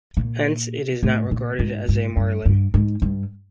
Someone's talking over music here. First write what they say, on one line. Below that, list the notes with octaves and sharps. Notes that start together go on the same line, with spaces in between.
Hence it is not regarded as a Marilyn.
A#2
A2
A#2
G#2
G#2
G2
G2
G#2
G2